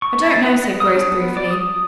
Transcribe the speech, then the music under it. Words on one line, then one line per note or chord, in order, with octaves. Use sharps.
"I don't know," said Grace briefly.
C#6
A5
B4
D#5
D#6
D4
B3
D5
D#6